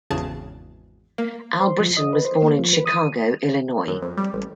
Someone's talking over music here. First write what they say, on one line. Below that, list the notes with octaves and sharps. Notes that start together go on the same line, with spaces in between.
Albritton was born in Chicago, Illinois.
G#1 E2 C#3 G#4 A5 G#6
A#3
C5
F3
D#5
B4
C5
A#3
F3
B4
D#6
F#2
F2
G3
A1